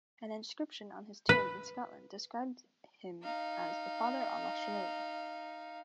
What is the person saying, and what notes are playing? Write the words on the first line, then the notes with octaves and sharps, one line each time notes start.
An inscription on his tomb in Scotland describes him as "The Father of Australia".
B4
D#4 F5